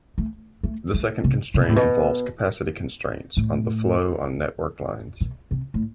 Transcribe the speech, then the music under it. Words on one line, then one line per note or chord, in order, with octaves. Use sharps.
The second constraint involves capacity constraints on the flow on network lines.
A3
A3
A3
C3
C3
B2
A2
B2
A2
B2
C3
A2